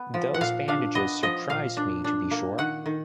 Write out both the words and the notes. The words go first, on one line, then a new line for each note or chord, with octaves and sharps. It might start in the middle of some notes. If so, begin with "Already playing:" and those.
Those bandages surprised me, to be sure!
Already playing: B3
F3
F#5
A#2 F5
D4 F5
B3 D#5
F3 D#5
A#2 F5
D4
D4
A#3
D#3 F#5
D#3